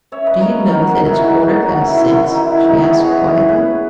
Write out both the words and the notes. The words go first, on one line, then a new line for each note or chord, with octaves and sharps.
"Do you know that it's quarter-past six?" she asked quietly.
C#4 C#5 E5
B4 D#5
A#3 A#4 C#5
D#3 F#4 A#4
F#4 A#4
D#3
E4 G#4
C#4 D#4 F#4
D#4 F#4
F#3
D#4 F#4
D#3 E4
D#4
E4
D#3 E4
D#4
E3 E4
D#4
B3 D#4 F#4
E4 G#4
B3
C#5
B4 D#5
E3
C#4 G#4 B4